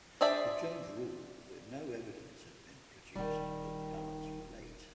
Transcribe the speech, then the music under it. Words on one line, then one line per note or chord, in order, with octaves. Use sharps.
The judge ruled that no evidence had been produced that the ballots were late.
D4 G#4 C5 D5 E5
D#1 D#3 G3